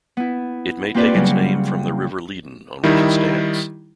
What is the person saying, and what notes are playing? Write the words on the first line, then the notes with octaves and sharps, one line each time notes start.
It may take its name from the River Leadon on which it stands.
B3 E4
A#3 C4 F4 G4 B4 D5
C#3 F#3 G3 A#3 C4 C#4
D#3 G3 D#4 E4